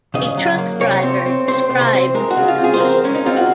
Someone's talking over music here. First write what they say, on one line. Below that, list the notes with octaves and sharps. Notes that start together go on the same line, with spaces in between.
A truck driver described the scene.
C#3 D#5
F#3
A#3
C3 C#5
C4
C4
C4 C5
C3
C5
C4
G#3 A#4
F#4
C#3
F4
C4
G#4
C5
C4 A#4
G#3 C#4
D#4
C4 F4
F#4